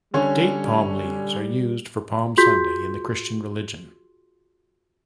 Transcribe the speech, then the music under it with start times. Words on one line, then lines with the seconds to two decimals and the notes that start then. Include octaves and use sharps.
Date palm leaves are used for Palm Sunday in the Christian religion.
0.14 D3 G3 C#4 C#5
2.37 F4 F#4 G#4 C6 G6 B6